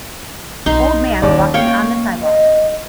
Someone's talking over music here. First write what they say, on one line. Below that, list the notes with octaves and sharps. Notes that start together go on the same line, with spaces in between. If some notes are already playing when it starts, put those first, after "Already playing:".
Old man walking on the sidewalk.
B1 D#4 C6
D#2 C#4 E4 D5
A#3 C#5 F5 G5
D#5